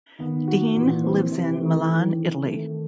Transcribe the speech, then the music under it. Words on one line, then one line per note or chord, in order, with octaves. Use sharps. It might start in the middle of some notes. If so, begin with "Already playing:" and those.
Deen lives in Milan, Italy.
D#3 B3
F#4
A#2 E3
C4
C3 E3
A3
D#3
C4
D#3 A3